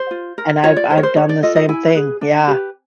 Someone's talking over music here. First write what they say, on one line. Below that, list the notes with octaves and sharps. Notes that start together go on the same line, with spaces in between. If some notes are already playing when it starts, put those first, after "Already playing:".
and I've I've done the same thing, yeah.
Already playing: C5
F4
A#4
F4 C#5
D5
A#4 C5
C#5
C5
D4 C#5
D5
F4 A4 D#5
D#5
E4 G#5
G#4 B4
D4
G4 B4